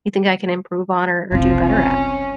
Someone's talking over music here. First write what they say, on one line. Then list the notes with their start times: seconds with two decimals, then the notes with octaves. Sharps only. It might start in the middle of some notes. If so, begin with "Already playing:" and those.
you think I can improve on or or do better at?"
1.32 F#1 C2 F3 C4
1.67 C#4